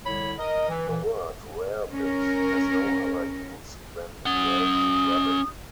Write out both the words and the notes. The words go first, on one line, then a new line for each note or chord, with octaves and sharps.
The word "rarebit" has no other use than in Welsh rabbit.
C2 D3 E4 C#5 B5
A#4 D#5
E3
A#2 E3
C#4 A#4
C#4 F#5 D#6